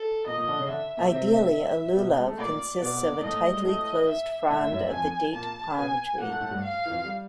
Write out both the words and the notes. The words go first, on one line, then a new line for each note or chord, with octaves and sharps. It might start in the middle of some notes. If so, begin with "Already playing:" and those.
Ideally, a "lulav" consists of a tightly closed frond of the date palm tree.
Already playing: A4
A#2 A#3 D#5
A#2 A#3
D3 D4
C#3 C#4
D3 D4 E5
A#2 A#3
C3 C4
B2 B3
G#3
A3
A#2 A#3 D5
B2 B3 D5
B3
A#3
A2 A3 D#5
G3
G#3
A2 A3 D#5
E5
A2 A3 E5
F#2 F#3
F2 F3 G#5
A#2 A#3 A5
B2 B3 G#5
A#2 A#3 F#5
A2 A3
A2 A3
G2 G3
F5
E3
F2 F3
G3